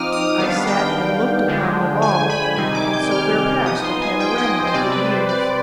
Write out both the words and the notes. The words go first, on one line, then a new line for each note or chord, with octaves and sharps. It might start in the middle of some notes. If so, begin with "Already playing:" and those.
I sat and looked upon them all, and so there passed a panorama of the years.
Already playing: F3 C4 D#4 D6 D#6 F6
D#6
D#3 G3 B3 D4 F5
G5
D3 F3 G#3 D4
G#5
B5
C3 D#3 G3 C4 D#4 G#5
D6
G6
F6
F3 B3 D#4 D#6
C6
G#5
G5
D#5
D#5
C5
C3 G3 C4 D5
B4
C5
D5